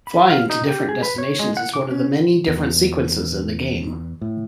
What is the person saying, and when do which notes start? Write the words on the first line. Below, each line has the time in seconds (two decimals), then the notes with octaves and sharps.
Flying to different destinations is one of the many different sequences in the game.
0.07 B5
0.30 F5
0.50 D#4
0.66 G4
0.89 G#4
1.03 B4
1.18 C#5
1.39 G#3
1.57 F#5
1.74 D6
1.91 C#4
2.47 E2
4.21 A2